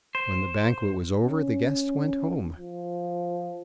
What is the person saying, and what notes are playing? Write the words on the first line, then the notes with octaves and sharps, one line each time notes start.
When the banquet was over the guests went home.
C5
C#4
F3